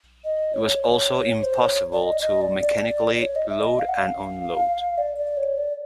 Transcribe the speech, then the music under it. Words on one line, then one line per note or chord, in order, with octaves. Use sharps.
It was also impossible to mechanically load and unload.
D#5
C#5
C#5
C5
C#5
D5
D#5
D#5
D5
D5
D5
C#5
D#5
E5
D5
D#5
F5
F#5
F5
D5
D5
C#5
D5